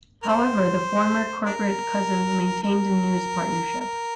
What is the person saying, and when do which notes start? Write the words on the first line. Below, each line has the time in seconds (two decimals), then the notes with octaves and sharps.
However, the former corporate cousins maintained a news partnership.
0.23 A#4
0.29 C5
1.46 D4 A#4
2.63 A#4
3.80 A#4